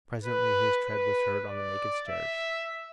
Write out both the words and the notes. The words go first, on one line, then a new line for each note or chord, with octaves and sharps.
Presently his tread was heard on the naked stairs.
B4
B4
D5
E5